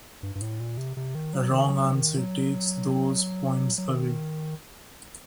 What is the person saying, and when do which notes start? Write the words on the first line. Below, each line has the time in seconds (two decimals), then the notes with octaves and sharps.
A wrong answer takes those points away.
0.23 G2
0.35 G2
0.42 A2
0.60 A#2
0.77 C3
0.97 C3
1.15 D#3
1.33 F#3
1.51 D#3
1.69 F#3
1.94 D#3
2.18 F#3
3.78 F#3
3.89 D#3